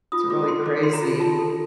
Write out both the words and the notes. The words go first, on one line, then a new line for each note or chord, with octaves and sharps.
It's really crazy.
F4 D#6
F4 D6
A4 C6
A4 D6
A4 C6
A#5
F4
F4 A5
A4